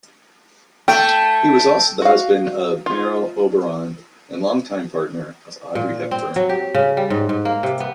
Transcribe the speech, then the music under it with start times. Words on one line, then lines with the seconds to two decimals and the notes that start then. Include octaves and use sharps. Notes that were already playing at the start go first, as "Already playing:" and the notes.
He was also the husband of Merle Oberon and longtime partner of Audrey Hepburn.
0.88 A3 G5
2.02 F#4 F5
2.86 F4
5.75 A#2
6.11 C4
6.36 F#3
6.49 G4
6.75 C#3
6.97 G3
7.10 G#2
7.29 G#2
7.45 A#3
7.63 C3
7.80 B3